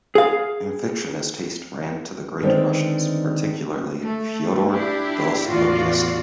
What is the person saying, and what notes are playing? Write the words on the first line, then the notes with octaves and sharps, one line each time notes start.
In fiction his taste ran to the great Russians, particularly Fyodor Dostoyevsky.
G#4 F5
D3 D#3 G#3 B3 C4 D4
A3
D4 E4 G4
E2 A2 F4 F#4 D5